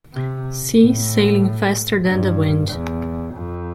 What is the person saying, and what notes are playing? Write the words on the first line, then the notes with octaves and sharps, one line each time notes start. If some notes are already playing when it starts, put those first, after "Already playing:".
See "Sailing faster than the wind".
C3
A2
G2
E2
F2